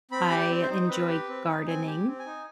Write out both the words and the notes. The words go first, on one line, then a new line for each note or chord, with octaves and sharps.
I enjoy gardening,
C4 B5
G4
D5
C4
C5
D#4
C4 B4
G4
C4
D#4
C4 G#5
G4
C4
G#5
D#4